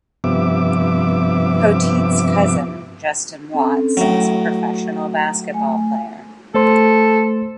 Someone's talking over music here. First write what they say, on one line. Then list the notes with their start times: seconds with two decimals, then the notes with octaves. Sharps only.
Poteat's cousin, Justin Watts, is professional basketball player.
0.24 G2 C3 F3 B3 E5 D6
3.54 C4 C#4 A4
3.97 A2 F#3 F#4
5.53 A3 G#5
6.55 A3 A4 C5 C6